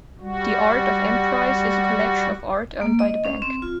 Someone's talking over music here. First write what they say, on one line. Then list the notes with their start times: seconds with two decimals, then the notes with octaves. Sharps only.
The Art of Emprise is a collection of art owned by the bank.
0.21 G3 F#4
2.81 A#3
2.99 D#5
3.25 C#4
3.42 C4
3.62 F4